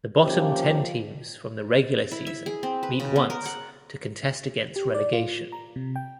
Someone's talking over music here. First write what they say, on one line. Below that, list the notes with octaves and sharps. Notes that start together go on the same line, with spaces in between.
The bottom ten teams from the regular season meet once to contest against relegation.
C3 F3 A#3 C#4 G4
E4
E5
G#4
C4
B4
C#3
B3
A#4
F#5
G4
D5
F4
A#5
C3
G5